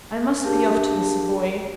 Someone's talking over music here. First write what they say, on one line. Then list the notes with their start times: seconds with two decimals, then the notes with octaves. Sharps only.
"I must be off to the Savoy."
0.43 D4 G4 G#4 A#4 F5 A5